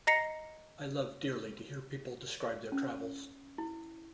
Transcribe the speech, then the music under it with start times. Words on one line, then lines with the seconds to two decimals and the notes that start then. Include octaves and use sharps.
I love dearly to hear people describe their travels.
0.07 D#5 A#5 A#6 C7 C#7
2.72 C#4
3.58 E4